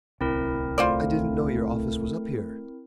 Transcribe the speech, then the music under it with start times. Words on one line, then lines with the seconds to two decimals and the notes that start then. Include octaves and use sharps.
"I didn't know your office was up here."
0.21 D1 C2 C4 E4 A#4
0.78 A3 F4 C5 D5